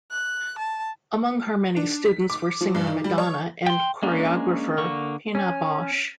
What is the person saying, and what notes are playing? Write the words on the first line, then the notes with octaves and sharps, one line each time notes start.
Among her many students were singer Madonna and choreographer Pina Bausch.
F#6
A5
D4
B6
D6
F3
G2
D#3
G3
C#5
G5 C6
G#3 A#3 C#4 D4
D3 A#3 C#6
C#4